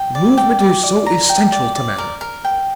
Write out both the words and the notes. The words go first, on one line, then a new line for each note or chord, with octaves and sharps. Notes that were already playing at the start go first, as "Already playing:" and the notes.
Movement is so essential to matter!
Already playing: G5
D5
G5
D5
D5
A#5
G5
D5
D5
A#4
A#4
G5